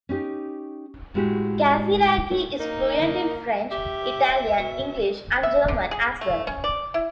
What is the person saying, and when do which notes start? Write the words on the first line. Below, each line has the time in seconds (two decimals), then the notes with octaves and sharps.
Casiraghi is fluent in French, Italian, English and German as well.
0.09 C#4 D#4 G4
1.14 A2 G#3 E4 F#4 G4
2.30 A3 D#4 C#5
2.60 A#3 D#4
3.71 G4 E5
4.58 B2
5.43 E5
5.68 D3
5.91 G#4
6.21 A3
6.47 C#4
6.64 D5
6.94 E4